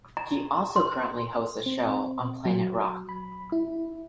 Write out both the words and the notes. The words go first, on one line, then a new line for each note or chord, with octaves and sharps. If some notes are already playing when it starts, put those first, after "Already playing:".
He also currently hosts a show on Planet Rock.
A#5
C6
C4
F#3
B5
E4